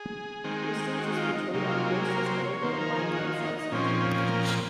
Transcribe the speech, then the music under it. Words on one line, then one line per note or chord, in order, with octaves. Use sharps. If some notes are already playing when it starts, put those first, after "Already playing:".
Eustace is portrayed at first as arrogant, whiny, and self-centred.
Already playing: G#4
D#3 G#3 C4
F#4
F4
D#4
C3 F#3 A#3 D#4
F4
G#4
A#4
C5
C#5
D#3 A#3 C5
A#4
G#4
F#4
F4
D#4
D#4
A#2 F3 C4 C#4
A#4